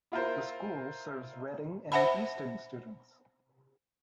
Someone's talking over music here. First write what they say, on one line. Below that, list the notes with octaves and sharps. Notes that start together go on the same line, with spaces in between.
The school serves Redding and Easton students.
E4 F4 A#4 C5
C5 E5 F#5 A5 B5